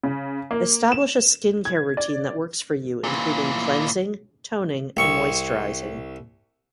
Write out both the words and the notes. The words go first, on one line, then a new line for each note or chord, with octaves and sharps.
Establish a skincare routine that works for you, including cleansing, toning, and moisturizing.
C#3
A#3
E7
G#6
D5
A#2 E3
C2 C#6